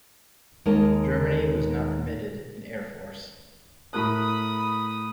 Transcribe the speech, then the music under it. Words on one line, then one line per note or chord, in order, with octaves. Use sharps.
Germany was not permitted an air force.
D#2 G#3 D#4 A#4 A5
A2 A#4 B5 D#6 F#6